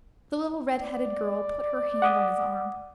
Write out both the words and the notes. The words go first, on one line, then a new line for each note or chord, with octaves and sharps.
The little red-headed girl put her hand on his arm.
D5
F#5 D6 D#6